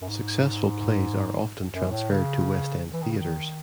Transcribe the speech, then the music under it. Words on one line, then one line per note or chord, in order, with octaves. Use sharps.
Successful plays are often transferred to West End theatres.
F#2
G#2
F#2
A2
C#3
E3
D#3
C#3
D#3